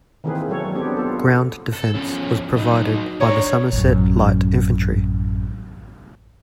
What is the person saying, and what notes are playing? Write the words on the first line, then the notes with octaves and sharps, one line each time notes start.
Ground defence was provided by the Somerset Light Infantry.
D#3 E3 A#3 C4 G#4 B4
F#3 G#3 A4 C#5
B3 C4 D4 G4
B3 F4 A4
A4
F3 C#4
F#3 D#4
D4 A#4 C#5
A1 F#2